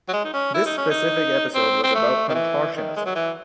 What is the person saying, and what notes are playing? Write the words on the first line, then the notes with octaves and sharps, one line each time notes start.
This specific episode was about contortionism.
F#3
G#3
D#4
C#4
E4
D#4
C#4
D#4
C4
C4
A3
D#3
E3
D#3
G#3
F#3
E3